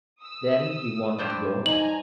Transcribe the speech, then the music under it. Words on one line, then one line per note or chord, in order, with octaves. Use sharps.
Then he wanted to go on.
D#6 E6
G2 C5 D5
D#4 G#5 A#5 F#7